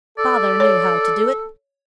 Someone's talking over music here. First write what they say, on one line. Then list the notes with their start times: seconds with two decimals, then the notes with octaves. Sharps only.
"Father knew how to do it."
0.18 A4 D5
0.60 C#5